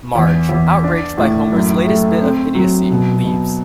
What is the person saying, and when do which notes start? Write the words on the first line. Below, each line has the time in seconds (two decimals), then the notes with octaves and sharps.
Marge, outraged by Homer's latest bit of idiocy, leaves.
0.15 E2
0.49 E2
0.84 D4
1.18 A2
1.52 F#2
1.87 A3
2.22 C4
2.55 F#3
2.90 B2
3.24 B2